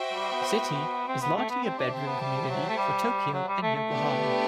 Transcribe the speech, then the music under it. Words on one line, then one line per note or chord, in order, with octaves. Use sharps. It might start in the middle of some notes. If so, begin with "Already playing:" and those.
The city is largely a bedroom community for Tokyo and Yokohama.
Already playing: F#4 C5 E5 G5
G3
B3
C4
B3
A3
B3
C4 G4 C5 E5 A5
D4
C4
B3
G3
F#3
A3
G3
F#3
G3
A3
A3
B3 D4 G4 B4